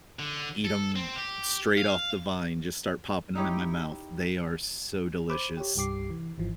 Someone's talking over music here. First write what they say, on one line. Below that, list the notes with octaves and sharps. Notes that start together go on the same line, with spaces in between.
eat ’em straight off the vine. Just start popping 'em in my mouth. They are so delicious.
D3
A4
C4
G4
F5
D#4 E4 G4 C#5
C5 B5 D6
G4 C#5
C2 G2 G4 D6 C7
E3
G#1 E3 F3